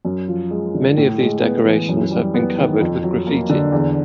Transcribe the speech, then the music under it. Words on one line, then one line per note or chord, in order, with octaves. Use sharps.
Many of these decorations have been covered with graffiti.
F#2
F3
G#3
D3
A2
G#3
B3
E3
F#2
G3
B3
D#3
F2
F#3
A#3
D3
E2